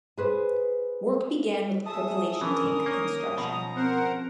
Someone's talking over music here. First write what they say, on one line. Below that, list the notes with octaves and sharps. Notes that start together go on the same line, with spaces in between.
Work began with the percolation tank construction.
G#4 B4 C5
G#4 A4 E5 A5 D#6
E3 C#4 D4 A#4
A#3 C#5
B2 F3 A#5
C4 A#4 C5 F#5